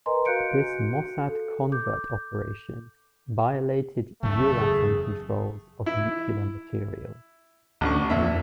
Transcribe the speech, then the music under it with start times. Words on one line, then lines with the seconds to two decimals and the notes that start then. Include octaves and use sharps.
This Mossad covert operation violated Euratom controls of nuclear materials.
0.06 A#4 B4 D#5 G#5 A#5 C6
0.25 F#4 F5 F#6 G6 C#7 D7
1.29 A4
1.72 D6 G6
4.23 F#1 E2 C#3 A3
4.61 G#4
5.86 E4
7.81 A1 D2 D3 C#6
8.10 F2 A#2 E5